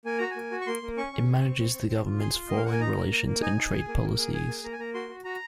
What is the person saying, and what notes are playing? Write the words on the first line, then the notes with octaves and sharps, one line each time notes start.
It manages the government's foreign relations and trade policies.
A#3 G#5
F#4 A#5
G#5
A#3
F#4
C#6
A#3 C6
A#3
C#4 C#6
C#4
G#4
C4
C4
C4
C4
F4
G#4 C6
F4
A#3 D#5
F5
A#3 F#5
G#5
D#4 A#5
A#3
A#3
A#3
D#4 G#5
D#4
G#4
A#3
A#3
G#4
G#4 G#5
A#3
A#3 A#5
G#5
A#3 A#5
F#4 C6
F#4
F#4 A#5